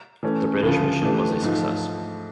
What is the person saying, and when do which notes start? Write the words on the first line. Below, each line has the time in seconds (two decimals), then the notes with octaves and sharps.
The British mission was a success.
0.23 E3 A3 C#4
0.63 D2 C#3 F3
1.03 E3 A3 D4 G4
1.42 G#2 F3 A3